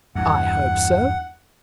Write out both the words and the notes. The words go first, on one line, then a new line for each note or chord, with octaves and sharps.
"I hope so."
E2 G2 F#5